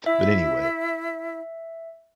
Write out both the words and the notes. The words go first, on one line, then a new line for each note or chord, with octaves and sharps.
but anyway.
E4 E5